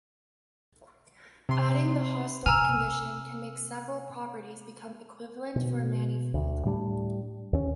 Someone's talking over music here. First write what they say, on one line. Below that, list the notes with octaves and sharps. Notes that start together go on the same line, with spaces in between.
Adding the Hausdorff condition can make several properties become equivalent for a manifold.
C3 C6
C3 G#5 A#5 E6 F6
B2
D2
A2 G3 D4
D#2 C#4